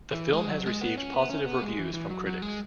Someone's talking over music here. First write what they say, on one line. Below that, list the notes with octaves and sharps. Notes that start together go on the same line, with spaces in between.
The film has received positive reviews from critics.
E3
G#3
F#3
G#3
B3
C#4
B3
C#4
B3
G#3
E3
E3
F#3
F#3
G#3